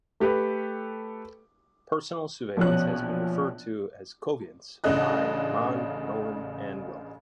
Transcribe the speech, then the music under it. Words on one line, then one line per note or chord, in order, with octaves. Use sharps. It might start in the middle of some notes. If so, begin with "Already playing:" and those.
"Personal sousveillance" has been referred to as "coveillance" by Mann, Nolan and Wellman.
A3 G4 A4 B4
A#1 B2 F3 C#4 F#6
A1 C#3 D4 A4 D#5 F#6